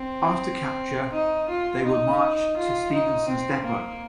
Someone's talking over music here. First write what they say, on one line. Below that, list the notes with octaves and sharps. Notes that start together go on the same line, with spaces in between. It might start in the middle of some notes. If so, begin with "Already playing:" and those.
After capture, they were marched to Stephensons Depot.
Already playing: C4
D#4
F4
D#4
F4
D#4
C4
A#3